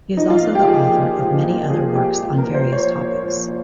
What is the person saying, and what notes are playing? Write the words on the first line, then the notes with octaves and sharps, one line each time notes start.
He is also the author of many other works on various topics.
F3 D#4
F4
A#2
G4
F3 G#4
A#2
F3
A#2
F3 G#4
A#2 G4
F3
A#4
A#2
C5
F3 C#5
A#2
F3
A#2